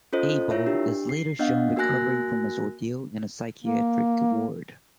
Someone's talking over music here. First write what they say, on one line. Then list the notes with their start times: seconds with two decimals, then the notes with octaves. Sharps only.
Abel is later shown recovering from his ordeal in a psychiatric ward.
0.13 C#4 F4 A4 C5 D#5
0.51 E4 F4 A#4 C#5 E5
0.66 D4 G4
1.09 C7
1.39 B3 D4 D#5 F5 F#5
1.76 A#3 F#4 A#4 G#5 F#6 A#6
3.64 A#3